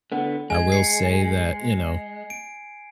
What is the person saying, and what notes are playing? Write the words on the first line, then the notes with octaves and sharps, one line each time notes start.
I will say that, you know
D3 B3
G#3 G#5 G#6
G#6 C7 C#7
D7